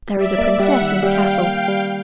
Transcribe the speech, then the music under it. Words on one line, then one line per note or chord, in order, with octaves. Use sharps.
'There is a princess in the castle.
G3 D5 E5
A#3
G3 E5 F#5
D#3
G3 F5 G5
G3
A#3
G3